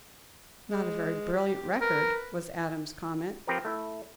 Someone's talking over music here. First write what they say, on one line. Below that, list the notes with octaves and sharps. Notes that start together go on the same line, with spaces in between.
"Not a very brilliant record," was Adams's comment.
G#3
G4
A#4 B4
F3 C4 G4 A#4 B4
A3 E4 E5